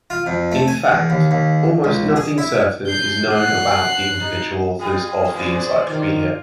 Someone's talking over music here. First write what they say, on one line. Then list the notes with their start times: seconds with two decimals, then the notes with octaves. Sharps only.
In fact, almost nothing certain is known about the individual authors of the encyclopedia.
0.10 F4
0.26 F2
0.52 A3
0.68 G#5
0.91 E2
1.10 D#2
1.31 D#2
1.84 C#2
2.16 G#4
2.38 E4
2.87 G6 C7
3.33 F#5 F#6 C7
4.21 D#4
4.79 G3 F4 G#4 D#5
5.34 C#3 G#3 E4 C5 D5
5.88 D#3 F4